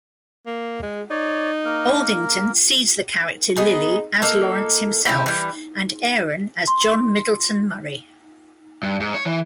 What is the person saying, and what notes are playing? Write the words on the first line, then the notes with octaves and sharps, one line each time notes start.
Aldington sees the character Lilly as Lawrence himself, and Aaron as John Middleton Murry.
A#3
G#3
D#4 C#5 D5
A#3 A#4
B3 D#4 G#4
A#3 D#4 A4
C3 C#4 E4 G4
E3 G3
C6
G2
G#2
C#5
E3